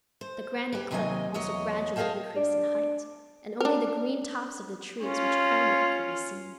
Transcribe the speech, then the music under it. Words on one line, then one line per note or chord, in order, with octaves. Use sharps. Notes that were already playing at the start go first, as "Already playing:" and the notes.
The granite cliff also gradually increased in height, and only the green tops of the trees which crowned it could be seen.
C5
G4 B4
D#2 C3 D#3 F#3 D#5 G#5
E2 F#3 C#5 D#5
G#4 A#4 D5 F5 G5 A5
D4
D4 A#4
C#4 F4